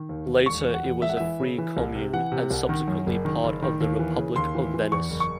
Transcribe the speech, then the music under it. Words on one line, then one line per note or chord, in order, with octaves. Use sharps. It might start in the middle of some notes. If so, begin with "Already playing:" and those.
Later it was a free commune, and subsequently part of the Republic of Venice.
Already playing: D#3
D#2
D#2
E1 C#6
E2
F#5
E2
E1 E5
F#5
E3 E5
C#3
E3
C2
C3
E3 F#5
C3
C2
D#3
F#2
F#1
D#3
F#1
D#3
D#2
E3
C#3
D#2 C6
E3
E3
E2 C#6
F#1
C#6